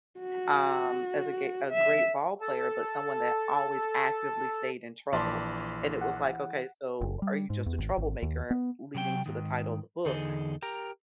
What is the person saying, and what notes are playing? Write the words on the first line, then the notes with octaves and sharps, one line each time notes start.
um, as a ge a great ball player, but someone that always actively stayed in trouble. And it was like, "Okay, so are you just a troublemaker," leading to the title of the book.
F#4
E5
A4 A5
A#1 E3 D5 A5 C6
F#5
F#1
G3
G#2
E2
G#1
G#1
D#2
B3
C3 F#3 A#4 G5
G#2 D#3
E2 D3 D#4 G#4 A4 D#5
G4 A#4 A#5